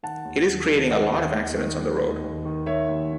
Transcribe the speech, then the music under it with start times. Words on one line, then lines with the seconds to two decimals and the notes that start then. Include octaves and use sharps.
It is creating a lot of accidents on the road.
0.03 D#3 F#5 A5
0.25 D#2
0.47 D#2
0.70 D#3
0.91 D#3 D#5 F#5
1.14 D#2
1.34 D#2
1.56 D#3
1.79 D#3
2.01 D#2
2.24 D#2
2.45 D#3
2.66 D#3 C#5 E5
2.89 D#2